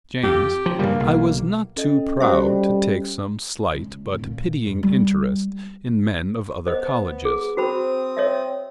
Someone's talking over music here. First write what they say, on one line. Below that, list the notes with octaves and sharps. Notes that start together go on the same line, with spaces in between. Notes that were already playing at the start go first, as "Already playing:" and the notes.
JAMES', I was not too proud to take some slight but pitying interest in men of other colleges.
F2 G4
F3
G2 C#3 G3 A#3
B1
C#4 A4 D#5
G3 F#4 C5 E5
C#2
D1
A#2
F2
G3
B3 C5 D#5
D#5
G#4
C4 F#4 C5 B5 D#6
C#5 D#5 E5